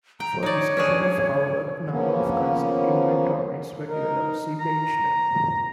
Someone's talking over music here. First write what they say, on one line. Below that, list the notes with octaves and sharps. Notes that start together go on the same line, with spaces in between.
For a discussion of how a number of concept inventories were developed see Beichner.
G5 A#5
D#4 C#5 D5
C#4 D4 G#4
C#3 F3 A#3 B3 C#4
D#4 A#4
A#5